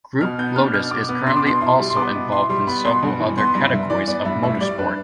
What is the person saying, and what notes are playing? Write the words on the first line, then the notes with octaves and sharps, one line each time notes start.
Group Lotus is currently also involved in several other categories of motorsport.
B2 F6
B3 G6
D4 F6
B2 F6
B2 D6
B3
D4 C6
D6
B2 C6
E4 C6
G3
C6
B3 D6
B2
E4 C6
G3 C6
B3 B5
B2 C6
G2
E3
B3 C6
G2
G2 E5
E3 D5
B3 D5
G2 E5
A2 E5
G3 D5
D4 B4